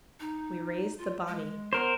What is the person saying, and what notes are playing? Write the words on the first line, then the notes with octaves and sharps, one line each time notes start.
We raised the body.
D#4
F4
G#3
B3 A#4 C5